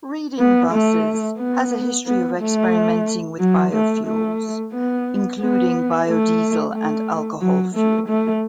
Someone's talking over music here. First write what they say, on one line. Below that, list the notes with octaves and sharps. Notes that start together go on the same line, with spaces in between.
Reading Buses has a history of experimenting with biofuels, including biodiesel and alcohol fuel.
B3
A3
B3
B3
A3
F#3
A3
A3
B3
B3
A3
A3
F#3
A3
A3